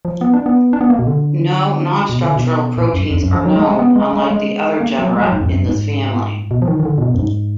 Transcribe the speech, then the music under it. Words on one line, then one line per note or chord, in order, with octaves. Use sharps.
No nonstructural proteins are known unlike the other genera in this family.
F3
B3
D4
B3
D4
B3
A#3
B2
D3
B2
D3
B2
A#2
F#2
F2
F#2
F3
F#3
G#3
G#3
B3
G#3
G#3
G#3
A#3
F#3
G#3
F#3
G#2
F2
F#2
G#2
B2
F3
D#3
D#3
D3
A#2
B2
F#2
G#2